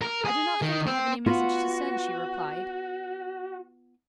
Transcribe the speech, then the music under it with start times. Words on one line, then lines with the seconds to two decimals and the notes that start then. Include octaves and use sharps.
"I do not think I have any message to send," she replied.
0.02 A#4
0.25 G#4
0.62 D#3
0.87 C4
1.26 B3 F4 F#4